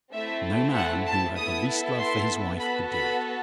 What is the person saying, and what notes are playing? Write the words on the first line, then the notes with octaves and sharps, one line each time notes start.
No man who had the least love for his wife could do it.
A3 C4 E4 A4 E5
F#5
A5
B3 E4 A4 D#6
C6
B3 F#4 A4 B5
B5